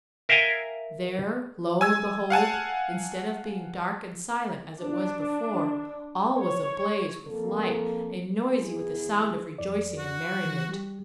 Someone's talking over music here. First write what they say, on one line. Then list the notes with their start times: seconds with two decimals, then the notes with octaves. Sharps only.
There, lo and behold! Instead of being dark and silent, as it was before, all was ablaze with light and noisy with the sound of rejoicing and merriment.
0.29 A#4 E5 F5 G5 G#5 A#5
1.81 G#5 E6 G#6
2.30 F5 F#5 G#5 A5
4.81 D4
6.39 C#5
7.28 F2 A#3 A4
8.57 E2 E4 G#4
9.58 F2 D5
9.98 F#4
10.45 E3
10.69 G3 G4